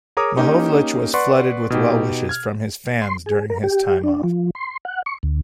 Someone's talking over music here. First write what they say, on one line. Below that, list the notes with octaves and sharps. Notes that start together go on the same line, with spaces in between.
Mahovlich was flooded with well-wishes from fans during his time off.
G#4 A#4 C#5 A#5 D6 D#6
A#3 C#4 D#4 G4
B4 D5 F#5 C6 C#6
B2 D#4 G4
F6 G#6
C6
G#4
A#4
G4
D4
F3
C6
F#5
C#6
D2